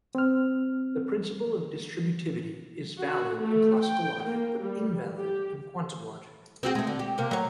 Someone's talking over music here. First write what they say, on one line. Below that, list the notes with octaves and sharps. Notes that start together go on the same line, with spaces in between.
The principle of distributivity is valid in classical logic, but invalid in quantum logic.
C4 F6
F#4
A3
G5
A#3
G3
G4
C4 F#4 G#4
G#3 A3
D3
G4
C3 A#3
F#3 C#5